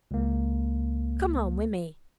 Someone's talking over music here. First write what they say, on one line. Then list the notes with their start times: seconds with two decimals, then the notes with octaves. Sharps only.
Come home with me.
0.11 C#2 A#3